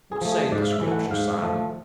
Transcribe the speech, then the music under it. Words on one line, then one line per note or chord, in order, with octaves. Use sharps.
What saith the Scriptur', Simon?
G#4
F3 A3
G#4
G#2 D5
F5
E5
E3 A3
F#5
G#2 F5
F3 A3